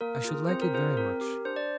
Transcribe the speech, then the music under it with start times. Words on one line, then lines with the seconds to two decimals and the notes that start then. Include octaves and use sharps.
'I should like it very much.
0.01 A#3 A#4
0.25 F4 G#4
0.49 C4 C5
0.62 A#4
0.74 F4 G#4 C5
0.97 C4 A#4
1.21 G4
1.45 D4 C5
1.56 D5